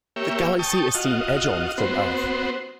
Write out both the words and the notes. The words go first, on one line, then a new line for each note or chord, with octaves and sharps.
The galaxy is seen edge-on from Earth.
A#3 G4 C#5 E5
G5 A5 C#6 D#6
F4 F#4 D#5
B3 C4 F#4 C5